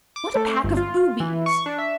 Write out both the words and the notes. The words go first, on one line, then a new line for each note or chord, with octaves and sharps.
What a pack of boobies!
D6
A3
G1
F4
E3
C#6
D4
E5